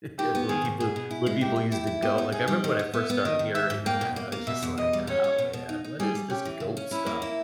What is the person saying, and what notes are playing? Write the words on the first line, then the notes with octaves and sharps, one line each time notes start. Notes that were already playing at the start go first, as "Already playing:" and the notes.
Yeah, when people when people use the GOAT, like I remember when I first started hearing that, I was just like, "Oh, man. What is this GOAT stuff?"
D#3 G4
B3
D#3 G#4
G#2
B2 G#4
B2
E4
G#3
E4 G4
E4
E4 G4
E4
B3 G4
D#4
D#4 G#4
G3
D#3 D#5
B3
B3 E5
B3
D#3 D#5
D#3
G#2 E5
G#2
A#3 G5
B2
A#3
A#3
B2 E5
E2
E2 D#5
G3
C#4 C#5
C#4
B2
B2
D#4
D#4
G3 G#4
G3
C#4 G4
E3
C#3
C#4
C#4 E4
A#3
E4